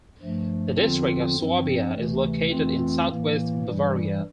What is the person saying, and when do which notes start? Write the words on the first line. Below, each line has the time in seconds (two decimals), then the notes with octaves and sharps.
The district of Swabia is located in southwest Bavaria.
0.22 G2 F3 A3
0.79 E2 D3 F3 C4 F4
1.35 G2 F3 C4
1.93 D2 C3 E3 A3
2.50 F2 E3 A3 C4 F4
3.07 A2 E3 A#3
3.64 G2 E3 G3